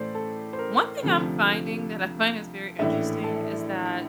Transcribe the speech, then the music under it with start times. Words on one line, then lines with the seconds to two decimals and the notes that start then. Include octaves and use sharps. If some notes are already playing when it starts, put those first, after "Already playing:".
one thing I'm finding that I find is very interesting is that
Already playing: A2 E3 A3 C5 D5
0.15 A4
0.53 C5
0.59 A#4
1.03 D2 C3 F3 A3
2.79 A#1 A2 E3 E5
3.24 A4